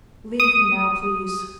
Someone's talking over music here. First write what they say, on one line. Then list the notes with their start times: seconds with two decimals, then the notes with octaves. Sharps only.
Leave me now, please.
0.40 D#6